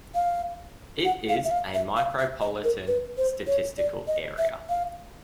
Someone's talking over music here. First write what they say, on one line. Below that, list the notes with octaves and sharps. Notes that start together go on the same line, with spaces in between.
It is a Micropolitan Statistical area.
F5
F#5
F5
E5
F5
E5
F5
E5
D#5
A#4
B4
C5
C#5
D5
D#5
E5
F5